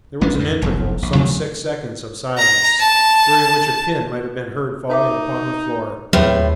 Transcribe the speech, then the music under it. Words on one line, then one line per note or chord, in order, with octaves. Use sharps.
There was an interval--some six seconds--of silence, during which a pin might have been heard falling upon the floor.
A1 G#3 C#4 D4
F2 A2
F1 B1 F#2
A#1
C3 F3 A3 C4
A#5
A5
D#4 A#4 E5 D6
D#2 A2 F#3 C4 G#4 B4